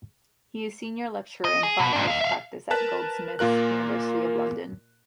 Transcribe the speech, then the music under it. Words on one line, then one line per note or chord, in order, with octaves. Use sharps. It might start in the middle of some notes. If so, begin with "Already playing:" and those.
He is a Senior Lecturer in Fine Art Practice at Goldsmiths, University of London.
D#5
G#4
B2
G#2 D4
D#5 F5
E5 F5
A#4 B4 A5 F#6 B6
A#2 A#3 F4 A#4 F#6